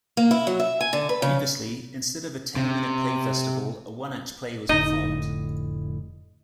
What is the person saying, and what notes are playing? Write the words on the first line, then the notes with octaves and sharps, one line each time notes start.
Previously, instead of a ten-minute play festival, a one-act play was performed.
A#3
E4
F#3
E5
G#5
D3
B4
C#3
C3
F1 A2 D3 D#4 D#5